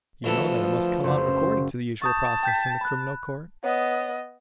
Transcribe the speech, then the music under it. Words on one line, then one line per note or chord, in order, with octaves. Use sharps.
You know that it must come on according to the usual process in the Criminal Court.
D2 E3 F3 A4
F#1 C5
A5 C#6 D#6 G6
G5 G6 B6
B5 F#6
B3 C#5 D#5